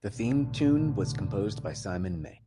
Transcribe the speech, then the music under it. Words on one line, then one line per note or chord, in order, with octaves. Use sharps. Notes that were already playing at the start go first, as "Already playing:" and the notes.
The theme tune was composed by Simon May.
B1 A2 D3